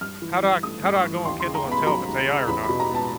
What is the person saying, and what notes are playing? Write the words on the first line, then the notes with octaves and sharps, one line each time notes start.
how do I how do I go on Kindle and tell if it's AI or not?
G2 F6
E3
G2
A3 D#6
G2
C#6
E3
D#2 C6
C6
C#3
A#5
B3
B5
F#3 A#5
D#2
C#3
E2 B5
B5
B2
A#5
B3
A5